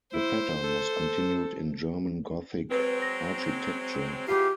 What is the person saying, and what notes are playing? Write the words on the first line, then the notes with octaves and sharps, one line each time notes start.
The pattern was continued in German Gothic architecture.
E4 C5
A4
F#3 G#3 C4 B4
A#6
E2 F4 G4